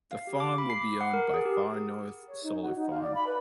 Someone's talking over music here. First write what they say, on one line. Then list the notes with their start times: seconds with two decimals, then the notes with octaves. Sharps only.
The farm will be owned by Far North Solar Farm.
0.12 F5
0.27 G4
0.40 D6
0.58 B5
0.70 C7
0.84 C7
1.01 F#5
1.14 A#4
1.34 G#4
1.45 G4
2.28 C#5
2.43 D#4
2.61 F#4
2.76 D#4
2.90 F5
3.02 D5
3.14 B5
3.26 B4